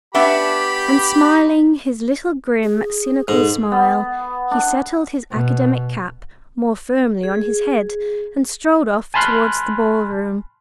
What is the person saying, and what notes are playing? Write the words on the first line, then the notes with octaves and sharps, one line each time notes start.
And smiling his little grim, cynical smile, he settled his academic cap more firmly on his head and strolled off towards the ballroom.
B3 D4 G4 E5 B5
G#4
G#2 A4
B3
D4
B2
G#4
G#5 A5 B5 C6 F6 F#6